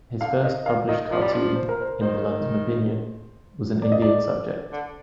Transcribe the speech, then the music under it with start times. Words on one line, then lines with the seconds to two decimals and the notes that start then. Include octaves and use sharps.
His first published cartoon, in the "London Opinion", was an Indian subject.
0.20 D3 F5
0.44 D#3 D#5
0.66 D#3 F5
0.88 D#3 D#5
1.11 F3 D5
1.22 G3
1.32 F3
1.56 C5
1.69 A#4
1.81 C5
2.01 D#3 C5
3.82 D5
3.92 D#5
4.02 D5
4.72 D3